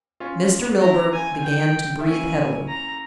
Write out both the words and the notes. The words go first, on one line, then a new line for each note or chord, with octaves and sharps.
Mr. Milburgh began to breathe heavily.
C#4 F4
C4 E4 A#5
G#5
G5
E4
A#3 C#4 G#5
A#5